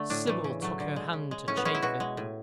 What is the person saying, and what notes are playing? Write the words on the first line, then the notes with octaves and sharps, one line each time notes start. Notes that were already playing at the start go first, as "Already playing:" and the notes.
Sybil took her hand to chafe it.
Already playing: D3 A3
A2 D4
E3 A3
C#3
F#3 A3
D3
G#3
C#3
G#3
A2 C#4
B3
G#3 C#4
E4
B2 F#4
G#3
A2